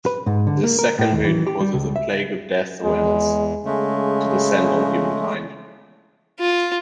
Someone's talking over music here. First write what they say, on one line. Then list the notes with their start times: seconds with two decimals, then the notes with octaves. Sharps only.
This second moon causes a "plague of death awareness" to descend on humankind.
0.06 B4
0.26 G#2
0.47 D3
0.64 A#3
0.79 A#4
0.99 A2
1.13 D#2
1.25 E3
1.47 G4
1.60 G3
1.74 C#2
1.96 E5
2.83 E2 G#3
3.66 C#3 G#3 A3
6.40 F4